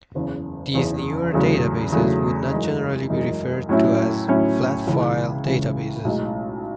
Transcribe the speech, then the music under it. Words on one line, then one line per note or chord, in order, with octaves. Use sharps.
These newer databases would not generally be referred to as flat-file databases.
F#1 E2 C#3
F#1 E2 C#3
E2 C#3 F#3 A3
E2 C#3 F#3 A3
F#2 E3 G#3 D#4
F#2 E3 G#3 D#4
A2 F#3 C#4 E4
A2 F#3 C#4 E4
C#2 C#3 E3
C#2 C#3 E3
B1 A2 G#3 D#4